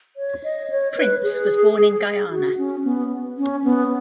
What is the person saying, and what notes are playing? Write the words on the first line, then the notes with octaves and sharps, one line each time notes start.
Prince was born in Guyana.
C#5
D#5
C#5
B4
G#4
F#4
C#4
B3
C#4
B3